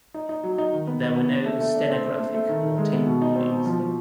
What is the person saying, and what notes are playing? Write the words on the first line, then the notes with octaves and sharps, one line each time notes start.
There were no stenographic or tape recordings.
D#4
D#4
F#3
D#4
D#3
B3
B3
B3
D4
A3
A3
D4
C4
A3
A3
A3
D#3
D#3
G#3
B3
B2
D#4
C4
B2
F3
F3